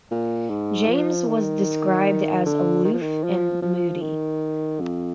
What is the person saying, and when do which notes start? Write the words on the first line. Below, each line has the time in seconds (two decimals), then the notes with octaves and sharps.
James was described as aloof and moody.
0.11 A#2
0.50 G#2
0.89 F3
1.28 D#3
2.46 D3
2.85 D#3
2.94 F3
3.02 D#3
3.24 F3
3.62 F3
4.02 D#3
4.80 F2